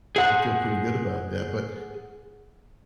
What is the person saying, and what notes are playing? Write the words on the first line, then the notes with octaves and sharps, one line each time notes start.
I feel pretty good about that, but
G#4 F#5